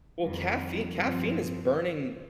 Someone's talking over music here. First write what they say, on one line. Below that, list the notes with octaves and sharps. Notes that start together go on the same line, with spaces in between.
Well, caffei caffeine is burning
F2 D#3 G3
G2 F3 C4